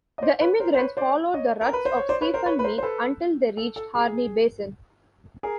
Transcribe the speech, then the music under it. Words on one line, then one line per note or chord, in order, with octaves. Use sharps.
The emigrants followed the ruts of Stephen Meek until they reached Harney Basin.
D#5
C5 D5
B4 C#5
A#4 C5
C5
B4 C#5
C5 D5
C#5 D#5
A#4
B4
C5
C#5
C5 D5
B4 C#5
A#4 C5
B4 C#5
B4
A#4 C5
C5
A4 B4
A4
A4
G#4
G#4 A#4